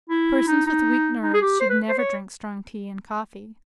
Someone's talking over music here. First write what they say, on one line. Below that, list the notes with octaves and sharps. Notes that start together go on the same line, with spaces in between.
Persons with weak nerves should never drink strong tea and coffee.
E4
D#4
D#4
D#4
G#4
G4
C5
B4
C5
C#5